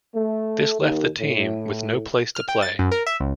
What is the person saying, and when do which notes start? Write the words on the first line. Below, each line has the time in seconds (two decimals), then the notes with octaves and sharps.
This left the team with no place to play.
0.15 A3
0.81 D#2
1.20 A2
2.35 F6
2.48 G5
2.62 A6
2.79 F#2
2.92 A#4
3.07 E5
3.20 C#2